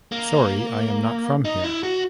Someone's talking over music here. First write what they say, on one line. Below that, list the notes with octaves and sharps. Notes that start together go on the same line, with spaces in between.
Sorry.i am not from here.
A#3
D#4
E4
F#4